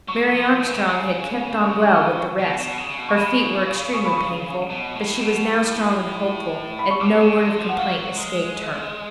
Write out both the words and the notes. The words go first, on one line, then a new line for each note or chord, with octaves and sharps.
Mary Armstrong had kept on well with the rest; her feet were extremely painful, but she was now strong and hopeful, and no word of complaint escaped her.
F#3 C#6
F3
D3
C#3
D3
C#3
C#6
C#6
C#6
D6
C#6
B2
B2
C#3
C#3
B2
C#6
C#3 B5
C#6
B5
C#6
B2
A2
B2
A2
B5
C#6
B2 D6
C#3
D3
F3
F#5
F#3 F5
G#3